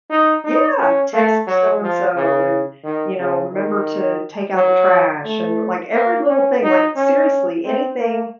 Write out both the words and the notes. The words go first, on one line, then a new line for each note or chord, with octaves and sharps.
Yeah. "Text so and so," and, you know, "remember to take out the trash," and, like, every little thing, like, seriously, anything
D#4
D#4
C#4
A3
F#3
F3
C#3
D#3
C#3
D#3
F#3
A3
A#3
C#4
D#4
C#4
C4
A#3